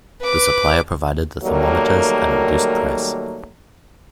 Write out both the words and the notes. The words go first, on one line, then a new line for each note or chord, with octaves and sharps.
The supplier provided the thermometers at a reduced price.
B4 D6
D#3 F#3 G3 A3 A#3